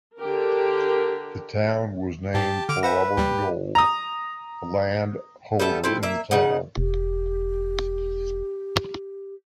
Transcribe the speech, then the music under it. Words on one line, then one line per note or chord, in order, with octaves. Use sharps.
The town was named for Robert Gould, a landholder in the town.
D3 G4 A#4
G#2 G4 A5
D3 D6 F6
B4 C5 E5 F#5 A#6
D#2 G3 G4
A#5 D#6
G3 B3 A4 E5
C4 E4 A4
A#3 E5
C#3 D#4 F#5
E1 G4